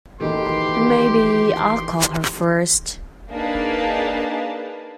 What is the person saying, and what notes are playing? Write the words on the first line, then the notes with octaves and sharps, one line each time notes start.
Maybe I'll call her first.
D#3 E3 A#3 D#4 F#4 G4 A4 C6
A#3 D4 D#4 G#4 B4 A5